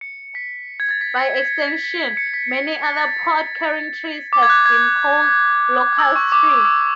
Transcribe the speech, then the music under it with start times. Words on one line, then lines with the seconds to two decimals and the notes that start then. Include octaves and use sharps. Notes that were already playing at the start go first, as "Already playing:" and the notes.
By extension many other pod carrying trees have been called "locust tree".
0.01 C#7
0.35 B6
0.80 G#6
0.91 A6
1.01 B6
1.18 C#7
1.35 B6
1.68 B6
1.84 B6
2.00 B6
2.17 C#7
2.34 B6
3.00 A6
4.33 D6
4.43 G#6
4.50 F#6
4.66 G#6
5.98 E6
6.16 C#6
6.32 D6
6.65 E6